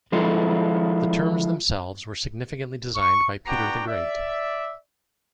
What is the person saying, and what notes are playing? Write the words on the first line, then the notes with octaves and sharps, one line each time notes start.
The terms themselves were significantly designed by Peter the Great.
F3 G#3 E4 F4 A4
C#6
B3 D4 F#4 G5 A#5 D6
D5 E5